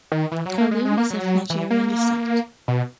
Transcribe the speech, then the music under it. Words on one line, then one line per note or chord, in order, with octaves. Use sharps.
Kalu is of Nigerian descent.
D#3
E3
F#3
A#3
G#3
G#3
A#3
F#3
E3
A#3
B2